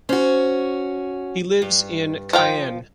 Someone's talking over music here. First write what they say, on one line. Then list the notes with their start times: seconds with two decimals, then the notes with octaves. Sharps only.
He lives in Caen.
0.09 C#4 F#4 C5
1.62 G2
2.33 F3 F5 G5